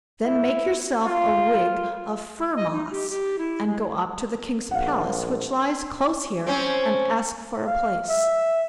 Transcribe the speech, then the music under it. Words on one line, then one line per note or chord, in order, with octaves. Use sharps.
Then make yourself a wig of fir-moss, and go up to the king's palace, which lies close here, and ask for a place.
E4
F4
D#5
D#4
G4
G4
E4
G#3
A#1 F5 F#5
C4 C#4
F5
E5